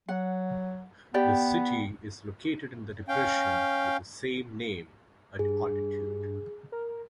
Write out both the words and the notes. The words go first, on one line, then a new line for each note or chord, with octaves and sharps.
The city is located in the depression with the same name, at altitude.
F#3 F#5
B3 G4 D5 G5
C#4 F5 G5
G2 G#4
A#4